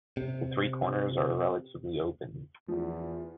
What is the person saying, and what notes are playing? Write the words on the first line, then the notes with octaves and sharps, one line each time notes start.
The three corners are relatively open.
C3
E2 F3